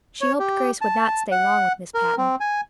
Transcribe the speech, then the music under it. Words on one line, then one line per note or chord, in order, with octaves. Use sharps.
She hoped Grace would not stay long with Miss Patten.
C#5
G4
A5
F#5
A#4
C4
G#5